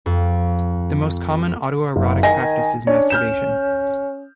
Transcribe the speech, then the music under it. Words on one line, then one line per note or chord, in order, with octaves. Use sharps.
The most common autoerotic practice is masturbation.
F2
F#1
D#3 D#5 G#5 A#6
C#4 D4 C#5
F6 G6 E7